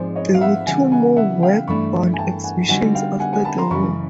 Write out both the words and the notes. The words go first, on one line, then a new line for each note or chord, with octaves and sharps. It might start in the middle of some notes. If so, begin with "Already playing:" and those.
There were two more Werkbund Exhibitions after the war.
Already playing: G#2 F3 G#3 C4 D#4 C5 D5
C#5 D#5
F5
E5 F#5
C#3 E3 G3 F#5 G#5
F#5 G#5
E5 F#5
F5 G5
G2 E3 A3 D4 B5 C#6
G#5
G5 A5
F#5 G#5
D3 G3 C4 D#4 F#4 F#5 G#5
F5 G5
F#5 G#5
F#5 G#5
A5 B5
A#5 C6
F#2 C#3 E3 G#3 B5 C#6